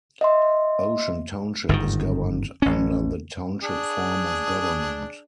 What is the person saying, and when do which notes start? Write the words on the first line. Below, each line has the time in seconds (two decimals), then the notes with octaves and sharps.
Ocean Township is governed under the Township form of government.
0.21 D#5 E5 C6
1.69 G1 G#2 D3 D#3
2.62 A1 C#4
3.63 D4 G#4